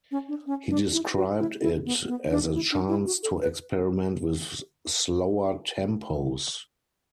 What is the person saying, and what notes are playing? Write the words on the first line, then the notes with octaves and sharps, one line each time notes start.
He described it as "a chance to experiment with slower tempos".
C#4
D4
C#4
D4
E4
F#4
E4
E4
B3
B3
D4
E4
D4
E4
F#4
A4
B4